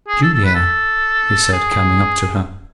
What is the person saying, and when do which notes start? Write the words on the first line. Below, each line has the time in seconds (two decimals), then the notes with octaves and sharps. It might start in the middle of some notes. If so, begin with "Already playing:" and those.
"Julia," he said, coming up to her.
0.08 G#4
0.22 A4
0.33 A4
0.44 B4
0.55 A4
1.52 G#4